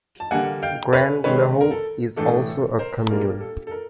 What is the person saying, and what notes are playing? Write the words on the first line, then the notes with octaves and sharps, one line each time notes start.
Grand-Lahou is also a commune.
A5
D3 G3 A#3 F#5 G#5
F5 G5
B4 C#5
D#3 G#3 C4 D#4 B4 C#5
A#4
A4
A2 E3 A3 D4 A4
A4
A#4 C5
A#2 G3 A#3 D4 A#4
A4
A4
A#4